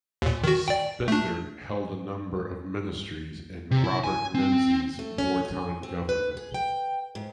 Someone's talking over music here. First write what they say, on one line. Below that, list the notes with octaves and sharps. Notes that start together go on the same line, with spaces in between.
Spender held a number of ministries in Robert Menzies' wartime government.
D#2 A#2
D#3 F#4
D5 G5
A3 D4
C3
E4
G#5
C4
A3
C#4
G#5
C4
B4
G#4
G5
G#2